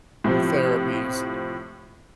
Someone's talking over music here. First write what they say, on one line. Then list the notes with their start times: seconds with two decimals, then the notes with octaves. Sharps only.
her therapies,
0.24 A2 C3 F3